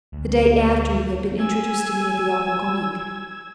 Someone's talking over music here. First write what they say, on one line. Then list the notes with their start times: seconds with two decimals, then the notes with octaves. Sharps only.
"The day after you had been introduced to me at the Opera Comique."
0.13 D2
1.38 G#5 E6 G#6